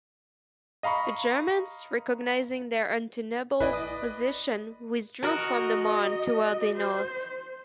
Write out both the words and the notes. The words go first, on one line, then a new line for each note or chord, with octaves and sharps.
The Germans, recognising their untenable position, withdrew from the Marne towards the north.
D#5 F5 A#5 B5 C#6
A1 E4 B4 D5 D#5 G#5
D#6
F#4 A#4 D#5
C5